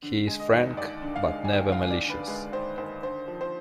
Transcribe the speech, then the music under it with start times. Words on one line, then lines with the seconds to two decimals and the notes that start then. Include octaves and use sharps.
He is frank but never malicious.
0.03 D3
0.27 G#3
0.40 D#5
0.53 D#2
0.77 D#2 D5
1.02 D3
1.16 F5
1.27 G#3
1.44 G#5
1.52 D#2 G5
1.72 F5
1.78 D#2
1.90 D5
2.03 D3
2.10 B4
2.27 G#3 B4
2.53 D#2 C5
2.78 D#2 C5
3.03 D3 C5
3.28 F3
3.41 C5